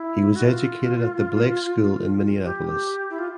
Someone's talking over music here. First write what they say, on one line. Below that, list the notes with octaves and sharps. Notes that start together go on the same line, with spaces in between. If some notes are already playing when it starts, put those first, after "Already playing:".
He was educated at the Blake School in Minneapolis.
Already playing: E4
F#4
F4
G4
E4
F4